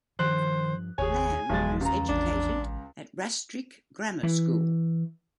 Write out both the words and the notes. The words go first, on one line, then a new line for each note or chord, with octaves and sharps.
Lamb was educated at Rastrick Grammar School.
G2 D#3 F3 C5 F#6
F#1 D#2 G#4 C#5 G#5
F#1 B1 E2 E3 F3 G#3 A6
C#2 A#5
A1 D4
E3